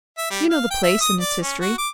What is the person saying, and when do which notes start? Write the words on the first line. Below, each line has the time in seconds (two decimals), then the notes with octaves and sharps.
You know the place and its history.
0.18 E5
0.31 G3
0.50 F5
0.70 G5
0.83 E5
1.01 D#6
1.20 D5
1.43 C#4
1.61 F#4
1.78 D6